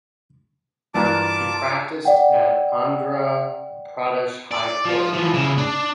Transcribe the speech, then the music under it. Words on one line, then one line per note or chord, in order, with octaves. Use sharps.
He practiced at Andhra Pradesh High Court.
G2 E3 D4 F4 A#4 A5 D6
D5 F#5 G5
D5
F3
E3 F3
C#3 E4
D4